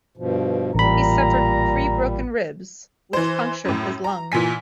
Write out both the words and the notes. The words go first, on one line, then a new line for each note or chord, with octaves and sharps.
He suffered three broken ribs, which punctured his lung.
G2 B2 F3
A1 A#2 G3 A#5 B5
E3 C5
F#2 A2
A#5
A#2 E3 G#5 B6